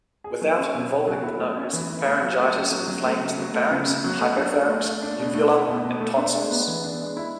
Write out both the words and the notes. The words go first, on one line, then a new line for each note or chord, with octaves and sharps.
Without involving the nose, pharyngitis inflames the pharynx, hypopharynx, uvula, and tonsils.
G#4
F#3
C#4
B2
G#4
F#3
E4
A3
C#4
E3
E4
A3
F#3
A3
C#4
F#3
F#3
A3
C#3
F#3
A3
C#3
C#3
F#3
A3
D4
A4
A3
A3
D4
B2
A3
E4
B2
B2
A3
D4
G#3
B3
E3
D4
G#3
E4